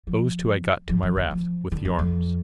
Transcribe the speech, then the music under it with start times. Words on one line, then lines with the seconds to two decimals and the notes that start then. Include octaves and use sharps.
Those two I got to my raft, with the arms.
0.07 F3
0.89 F3
1.03 F3
1.17 D3
1.31 F3
1.72 D3
1.85 F2
1.99 F2